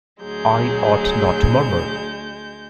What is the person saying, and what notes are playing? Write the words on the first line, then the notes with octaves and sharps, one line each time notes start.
I ought not to murmur.
D2 F#3 G#3 G#4 G6